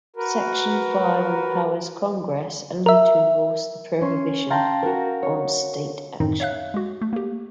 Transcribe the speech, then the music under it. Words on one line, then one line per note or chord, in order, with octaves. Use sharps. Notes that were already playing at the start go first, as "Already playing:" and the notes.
Section five empowers Congress only to enforce the prohibition on state action.
F#4 A#4 B4
A#4 E5
C#4 C6
F5 G5 A5 A#5 C6
F#4 A#4
C#5
F#2 A2 D#3 C4 D#4
C#5 E5 F5 F#6
G#3 F#4
A3
A#3 G4